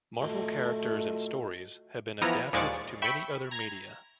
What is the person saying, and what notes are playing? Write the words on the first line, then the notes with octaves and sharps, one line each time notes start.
Marvel characters and stories have been adapted to many other media.
A3 F4 F#4 D#5
E3 F3 B3 E4 A#5 F6
D#2 A#2 F3 G#3 D5 C#6
E5 G5 B5 C#6
A#5 G#6